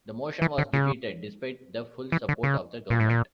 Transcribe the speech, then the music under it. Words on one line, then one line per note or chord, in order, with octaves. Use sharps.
The motion was defeated, despite the full support of the government.
E3
D3
C#3
E3
D3
C#3
A#2
A2
A#2